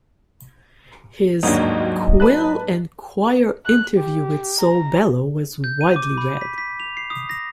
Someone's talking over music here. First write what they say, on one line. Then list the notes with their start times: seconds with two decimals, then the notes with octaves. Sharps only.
His "Quill and Quire" interview with Saul Bellow was widely read.
1.43 G1 D#2 G#2 F#3 A#3 D4 D#5
2.20 B4 A5 F#6
3.66 F#6
3.98 G4
4.60 A#5
5.64 G6
5.81 D#7
5.96 D6
6.18 B5
6.41 B6
6.58 B6
6.80 F7
6.97 C7
7.10 D#6
7.29 A#6